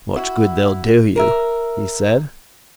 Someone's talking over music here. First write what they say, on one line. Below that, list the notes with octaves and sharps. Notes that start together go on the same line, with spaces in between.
"Much good they'll do you!" he said.
E4 F#4
A#4 E5